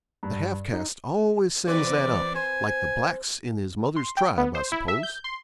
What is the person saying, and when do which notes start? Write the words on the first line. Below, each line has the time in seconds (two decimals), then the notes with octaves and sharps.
The half-caste always sends that up--like the blacks in his mother's tribe, I suppose.'
0.23 G2
0.73 D#4
1.68 E2 C4 B4 D5
2.35 C5 G#5
3.96 C6
4.17 G5
4.38 B3
4.55 C5
4.72 E4
4.88 E5
5.03 G6
5.24 C6